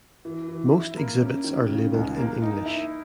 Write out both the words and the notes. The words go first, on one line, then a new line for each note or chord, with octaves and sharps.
Most exhibits are labelled in English.
E3
E3
E4
A#3
C#4
D#3
C#3
C#2
A#3
D#4
E4